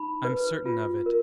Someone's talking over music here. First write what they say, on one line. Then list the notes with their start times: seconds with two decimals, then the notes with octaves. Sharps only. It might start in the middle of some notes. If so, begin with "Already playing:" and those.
"I'm certain of it."
Already playing: D#4 B5
0.25 B4
0.66 F4
1.06 A#4